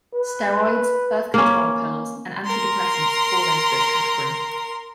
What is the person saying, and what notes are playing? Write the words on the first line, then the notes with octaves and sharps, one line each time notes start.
Steroids, birth control pills, and antidepressants fall into this category.
B4
A#3 C#4
A#4 C6